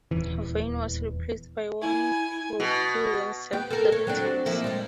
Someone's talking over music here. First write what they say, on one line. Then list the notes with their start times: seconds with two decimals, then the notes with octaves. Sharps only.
Vane was replaced by Winthrop, who then served three terms.
0.11 D#1 E2 E3
1.82 E4 G#5
2.60 B2
3.53 B3 G4
3.70 A4 A#4
3.92 C#5
4.07 F#3 C4 D4
4.46 F3 A#3 E4
4.64 G3 G#3